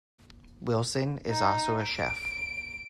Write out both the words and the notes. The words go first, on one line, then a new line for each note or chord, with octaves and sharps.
Wilson is also a chef.
D#4
D7